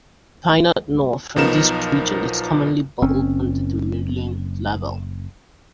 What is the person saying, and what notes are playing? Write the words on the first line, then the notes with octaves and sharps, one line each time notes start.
Pinot noir from this region is commonly bottled under the "Morillon" label.
B1 F3 B3 D#4 A#4 E7
F#1 C4 C#4